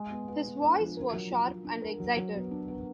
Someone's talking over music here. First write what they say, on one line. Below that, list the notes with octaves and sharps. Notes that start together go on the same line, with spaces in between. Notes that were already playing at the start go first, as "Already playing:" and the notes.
His voice was sharp and excited.
Already playing: G#3
B3
B3
B3
D4
F3
A#4
F#3
F4
F4
D4
A#4
F#3
F#3
B3
D4
B3